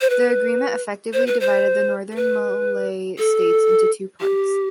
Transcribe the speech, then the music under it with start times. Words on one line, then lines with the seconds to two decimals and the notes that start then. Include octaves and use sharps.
The agreement effectively divided the northern Malay states into two parts.
0.01 C5
0.10 B4
1.13 C5
1.27 B4
1.40 C5
2.12 A4
2.16 B4
3.19 A4
4.21 G4